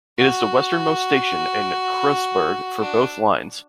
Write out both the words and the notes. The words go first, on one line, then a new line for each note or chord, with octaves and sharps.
It is the westernmost station in Kreuzberg for both lines.
F#4
D4